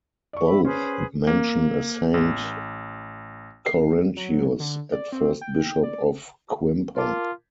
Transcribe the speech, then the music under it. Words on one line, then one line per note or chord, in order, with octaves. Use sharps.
Both mention a Saint Chorentius as first Bishop of Quimper.
D5 C#6
E5 B5
C#4 G#4 B4 C5
A#3
A1
C7
F#3
D3
D5
C4
G5
D5
F4 A#4 A5 D6